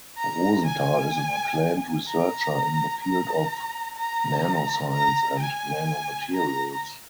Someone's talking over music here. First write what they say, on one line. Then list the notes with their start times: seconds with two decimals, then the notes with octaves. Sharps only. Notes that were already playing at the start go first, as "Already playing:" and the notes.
Rosenthal is an acclaimed researcher in the field of nanoscience and nanomaterials.
0.18 A#5
0.66 G#5
2.08 A#5
3.03 A#5
3.97 A#5
4.92 A#5
5.40 G#5
6.35 A#5